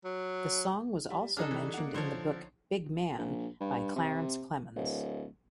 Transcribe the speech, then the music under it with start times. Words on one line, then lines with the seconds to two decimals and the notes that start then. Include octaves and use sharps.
The song was also mentioned in the book "Big Man" by Clarence Clemons.
0.05 F#3
1.10 G3
1.37 D4 D#4 G#4 A4 F6
1.51 E3 G3
1.74 A#3 F#5
1.94 D3 F3 C5 C#5
3.18 A#1
3.60 G2
3.96 C3
4.76 D1